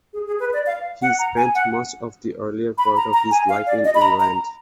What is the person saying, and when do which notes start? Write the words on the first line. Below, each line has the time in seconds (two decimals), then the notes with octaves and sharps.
He spent much of the earlier part of his life in England.
0.13 G#4
0.26 G#4
0.40 B4
0.53 D5
0.66 F5
1.02 F#5
1.19 A#5
1.37 G#5
1.55 F#5
2.78 B5
2.96 A#5
3.13 A#5
3.31 G#5
3.49 F5
3.66 D5
3.84 D#5
3.95 B5
4.02 A#5
4.20 A#5